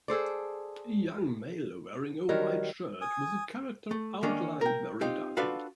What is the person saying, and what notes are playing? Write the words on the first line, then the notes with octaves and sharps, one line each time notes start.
A young male wearing a white shirt with a character outlined very darkly.
G#4 A4 C5 D5
D#3 F#3 G3 A#4
G#5 D#6
A3
D#3 A#3 C#4 D4
A#4 G5
C4 D#4 F4 G4
D4 F4 F#4 A4 B4 F5